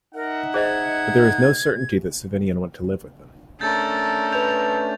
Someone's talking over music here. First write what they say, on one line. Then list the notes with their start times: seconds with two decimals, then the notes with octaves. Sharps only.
But there is no certainty that Savinien went to live with them.
0.15 D#4 A#4 E5 F#5
0.54 G#4 C5 D#5 G#6
3.61 A3 C#4 D4 A4 A#4 G6 A6
4.33 B4 G6 F7